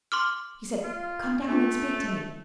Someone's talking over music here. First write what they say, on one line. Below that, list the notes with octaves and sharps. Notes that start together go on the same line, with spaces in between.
He said, 'Come down and speak to me!
C6 D6 F6
F4
A3 A#3 D4 F4
D#5